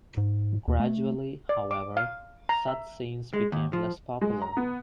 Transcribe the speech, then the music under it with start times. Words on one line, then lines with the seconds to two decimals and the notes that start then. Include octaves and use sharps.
Gradually, however, such scenes became less popular.
0.17 G#2
0.68 D#2
0.80 A3
1.49 D5
1.71 D6
1.97 F5
2.49 A#5
2.67 E5
3.34 G#3
3.52 D#2
3.73 F3
4.21 G#3
4.42 A#5
4.57 B3